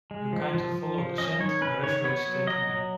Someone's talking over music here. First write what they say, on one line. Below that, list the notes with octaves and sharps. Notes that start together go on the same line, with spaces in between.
You kind of follow the scent wherever it's taking you.
G#3
F3
F3
F3
F3
C#4 D#5
D#3 C#5
C#4 B4
D#3 C#5
B3 C#5
F#3
F#3 D#5
F#3